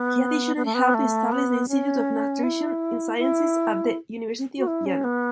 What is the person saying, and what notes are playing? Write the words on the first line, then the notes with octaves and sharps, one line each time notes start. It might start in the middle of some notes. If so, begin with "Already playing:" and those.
He additionally helped establish the Institute of Nutrition Sciences at the University of Vienna.
Already playing: B3
B3
A3
B3
A3
B3
C#4
E4
E4
F#4
E4
C#4
B3